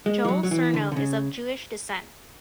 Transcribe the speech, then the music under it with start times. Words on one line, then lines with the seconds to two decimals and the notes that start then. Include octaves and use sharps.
Joel Surnow is of Jewish descent.
0.06 G#3
0.25 E3
0.28 F#3
0.43 F#3
0.51 E3
0.74 D3
0.92 D3
0.96 C#3